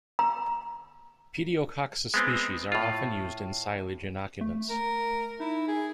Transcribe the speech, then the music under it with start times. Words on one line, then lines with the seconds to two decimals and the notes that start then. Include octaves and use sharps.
"Pediococcus" species are often used in silage inoculants.
0.19 A#5
2.14 G#3 B3 C4
2.72 A2 F4
4.41 A3
4.70 A#4
5.40 D#4 E4
5.68 G#4